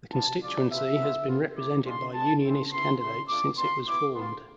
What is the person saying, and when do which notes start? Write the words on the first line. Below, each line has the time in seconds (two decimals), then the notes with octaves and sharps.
The constituency has been represented by Unionist candidates since it was formed.
0.13 B3 D4 F4 A5
0.42 G#3 D4 F4 D5
0.71 B3 D4 F4 E5
0.99 G#3 B3 D4 F4
1.28 B3 F4
1.56 A3 E4 D6
1.85 G#3 D4 F4 C6
2.14 G#3 B3 D4 A5
2.43 G#3 C4 E4 C6
2.71 B3 E4 C6
3.00 A3 E4 C6
3.29 A3 D4 F4 D6
3.58 B3 D4 F4 C6
3.87 B3 E4 D6
4.15 B3 F4 C6